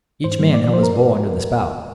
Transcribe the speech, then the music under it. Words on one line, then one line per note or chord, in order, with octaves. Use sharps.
Each man held his bowl under the spout.
G#2 C5
D#3 G3 A#3
A#2 D5
D5
F3 A#3 C5
A#4